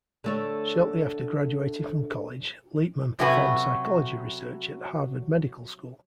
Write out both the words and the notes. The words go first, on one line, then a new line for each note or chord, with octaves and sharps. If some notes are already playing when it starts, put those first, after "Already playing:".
Shortly after graduating from college, Liebman performed psychology research at Harvard Medical School.
D3 A3 C#5
C3 F#3 A3 C#4 F#4 B4